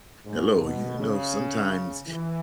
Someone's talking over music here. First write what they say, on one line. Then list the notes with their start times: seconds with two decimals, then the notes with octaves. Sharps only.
Hello, you know, sometimes,
0.26 G#2
0.62 B2
0.99 C#3
2.08 E3